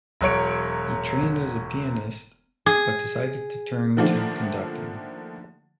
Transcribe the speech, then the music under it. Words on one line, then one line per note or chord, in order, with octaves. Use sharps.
He trained as a pianist, but decided to turn to conducting.
E1 F#3 C#5 D7
G#4
D3 D#3 F3 A3 A#3 D4